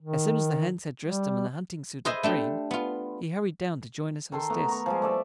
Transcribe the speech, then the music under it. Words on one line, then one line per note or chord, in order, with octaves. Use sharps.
As soon as the hands had dressed him in a hunting-suit of green, he hurried down to join his hostess.
D#3
G3
G#4 B4 C5 D#5 E5 G#5
A3 D4 G4
B3 F4
D#3 A4 C6
A3 B3 A#5
A#5 C#6
F3 G3 G#3
A3 D5 E5